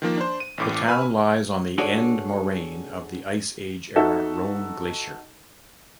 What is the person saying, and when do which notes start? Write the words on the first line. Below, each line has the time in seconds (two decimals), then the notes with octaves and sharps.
The town lies on the end moraine of the ice age era Rhone glacier.
0.02 D#3 F3 A#3
0.17 D4 C5
0.40 D#7
0.58 A1 A2 D6
0.88 B4 G#5 B5 E6 F6
1.78 D4 F#4 G#4 A4 C#5 D5
3.96 D#4 F#4 A4 E5